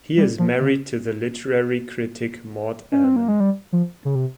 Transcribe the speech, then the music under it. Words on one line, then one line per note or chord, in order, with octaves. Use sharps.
He is married to the literary critic Maud Ellmann.
G3
F3
C#3
C#4
C4
A#3
G#3
G3
F3
C#3
C3